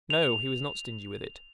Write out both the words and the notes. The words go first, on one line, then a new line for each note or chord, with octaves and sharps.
No, he was not stingy with it.
F7